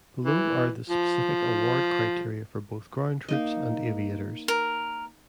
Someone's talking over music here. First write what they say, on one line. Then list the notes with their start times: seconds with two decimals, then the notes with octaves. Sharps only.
Below are the specific award criteria for both ground troops and aviators.
0.25 E3
0.90 F3
3.28 A#3 D#4 D#5
4.48 A#4